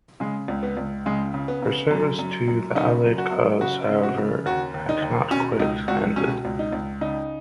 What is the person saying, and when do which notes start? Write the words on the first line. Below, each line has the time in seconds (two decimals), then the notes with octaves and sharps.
Her service to the Allied cause, however, had not quite ended.
0.20 C#3 G#3
0.48 C#2
0.63 B3
0.77 C#2
1.06 C#3 G#3
1.34 C#3
1.48 B3
1.62 C#3
1.91 F#2
2.19 F#2
2.48 F#2
2.76 C#3 D#4
3.04 F#2
3.18 F#4
3.32 F#2
3.61 C#3 F#4
3.89 C#3
4.03 F#4
4.17 C#3
4.46 D#2 F#4
4.74 D#2
4.89 D#4
5.02 D#2
5.30 B2 C#4
5.59 C#2 D#4
5.88 C#2 F#4
6.16 B2 C#4
6.45 C#2
6.59 D#4
6.73 C#2
7.01 C#3 D#4